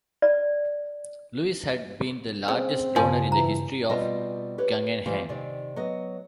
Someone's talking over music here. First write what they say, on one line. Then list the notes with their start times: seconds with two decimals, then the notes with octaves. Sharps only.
Lewis had been the largest donor in the history of the Guggenheim.
0.22 D5
2.48 C#3 C4
2.96 G2 C#3 F3 G#5
3.32 E3 A#5
3.90 B2 G3 C4 F4 D#5
4.58 G4 B4 C#5
5.06 E3 F3 G3 C4
5.29 C3 D#3 D5
5.76 F#3 B3 D#5